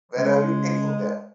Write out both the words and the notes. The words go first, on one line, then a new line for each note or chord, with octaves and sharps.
Where are you taking them?
C#3 G#3